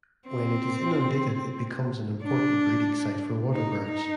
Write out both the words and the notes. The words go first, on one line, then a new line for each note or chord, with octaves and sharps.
When it is inundated it becomes an important breeding site for waterbirds.
C4
D4
D#4
D#4